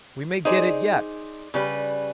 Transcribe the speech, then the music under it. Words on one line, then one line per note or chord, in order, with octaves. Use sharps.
"We may get it yet!"
D#4 G#4 C5 D5
C#3 G3 B4